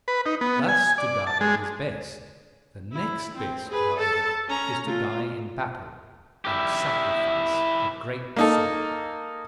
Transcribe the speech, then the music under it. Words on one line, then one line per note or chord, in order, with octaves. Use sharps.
Thus to die is best; the next best, however, is to die in battle, and sacrifice a great soul.
B4
D#4
B3
G#5
D5
A5
G#3
E4
C4
G#4 B4
A4 A5
C#4 A#5
A3 F4
E4 G4
A#3 D#4 A4